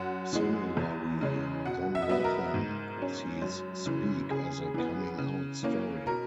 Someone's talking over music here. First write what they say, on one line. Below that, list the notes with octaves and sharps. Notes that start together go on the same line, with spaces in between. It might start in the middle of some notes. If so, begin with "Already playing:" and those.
Similarly, Don Latham sees "Speak" as a "coming-out" story.
Already playing: F#2 F#5
E3 G#3
E2
C#3 G#3 C#4
B2 F#5
E5
D#5
F#3 B3 E5
A#4
G#2
F#3 C#4
F#2
C#3 E3
C#3 G#4
E3 B3
C#3
E3 A#3 C#4
B2 A#4